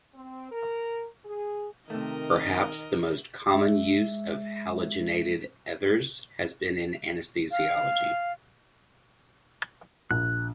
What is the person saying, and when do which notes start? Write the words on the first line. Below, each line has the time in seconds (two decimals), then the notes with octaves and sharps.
Perhaps the most common use of halogenated ethers has been in anesthesiology.
0.14 C4
0.51 A#4
1.25 G#4
1.90 C3 D#3 A3 A#4 D#5
3.54 G#3 E5
7.51 F5
10.11 A#1 F#6